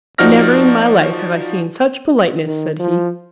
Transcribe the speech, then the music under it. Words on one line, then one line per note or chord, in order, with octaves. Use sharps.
"Never in my life have I seen such politeness," said he.
F3 D#4 F#4 D5 F6 A#6
D#3
F3